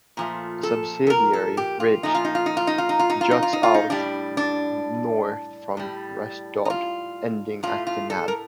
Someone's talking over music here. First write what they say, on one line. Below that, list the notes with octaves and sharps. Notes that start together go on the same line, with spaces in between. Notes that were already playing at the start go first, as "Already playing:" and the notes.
A subsidiary ridge juts out north from Rest Dodd, ending at The Nab.
A#2 F3 A3
A4
A4
A#4
A4
G4
F4
A#2 F3 A3 D#4
F4
D#4
F4
D#4
F4
D#4
F4
D#4
F4
D#4
F4
D#4
F4
D#4
F4
D#4
A2 G3 D4
D4
A2 G3
D#4
F4
A2 A3 F4
F4
A4
A#4